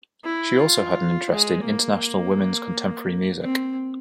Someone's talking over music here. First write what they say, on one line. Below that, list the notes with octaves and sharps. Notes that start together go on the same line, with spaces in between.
She also had an interest in International Women's Contemporary music.
E4
F4
G#3
A#3
C4